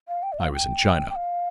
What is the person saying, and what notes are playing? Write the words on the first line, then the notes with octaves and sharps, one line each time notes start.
I was in China.
F5
G5
D5
F5
G5
G5
F5